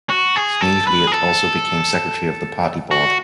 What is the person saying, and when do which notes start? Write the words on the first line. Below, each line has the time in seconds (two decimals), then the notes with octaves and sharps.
Sneevliet also became secretary of the party-board.
0.10 F#4
0.36 G#4
0.61 A4
0.87 B4
1.07 G#4
1.12 A4
2.91 F#4